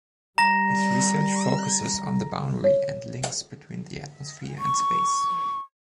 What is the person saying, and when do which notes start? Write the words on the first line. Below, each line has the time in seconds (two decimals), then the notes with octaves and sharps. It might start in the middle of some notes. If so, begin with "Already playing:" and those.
His research focuses on the boundary and links between the atmosphere and space.
0.38 G3 A#5 A#6
2.64 C#5
4.59 C#6